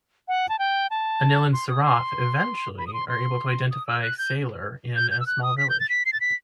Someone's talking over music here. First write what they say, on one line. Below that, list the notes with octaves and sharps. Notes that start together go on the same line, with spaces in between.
Anil and Sarath eventually are able to identify Sailor in a small village.
F#5
A5
G5
A5
C6
D#6
C6
B5
D#6
C6
C6
D#6
E6
F#6
G6
G6
G6
E6
F#6
D#6
B6
G6
A6
B6
C7
A6
B6